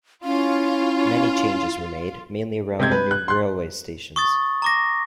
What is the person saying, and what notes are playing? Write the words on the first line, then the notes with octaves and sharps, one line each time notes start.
Many changes were made, mainly around the new railway stations.
C#4 E4 F4
C3 G#3 G6 G#6
B4
F#6
C6 F#6
C#6 D#6 A6
A#5 D6 A#6